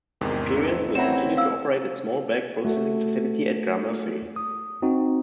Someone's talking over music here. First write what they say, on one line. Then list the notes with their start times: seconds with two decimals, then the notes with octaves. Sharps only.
Imperial will continue to operate a small-bag processing facility at Gramercy.
0.21 E2 G#2 C3 D#3
0.50 A1 E6
0.95 C4 E4 C#5 F#5 A#5 E7
1.37 F5 E6
2.65 A3 F#4 A4
4.36 D#6
4.82 C4 D#4 F#4